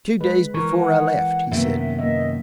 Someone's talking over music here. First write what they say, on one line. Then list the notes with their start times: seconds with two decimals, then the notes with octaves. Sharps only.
"Two days before I left," he said.
0.21 G#3 B4
0.54 E3 A#4 C#6
0.79 F#5
1.51 F#2 C3 D#3 A#3 B3 E5
1.99 A#3 D#5 E5